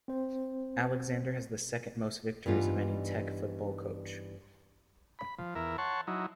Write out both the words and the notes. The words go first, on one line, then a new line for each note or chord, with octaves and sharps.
Alexander has the second most victories of any Tech football coach.
C4 C5
G2 E3 G3 B3 D#4 F4
B5
F3
E2 A#4 E5
C#5 F#5 A5 C6 C#6
F#3 D#4 E4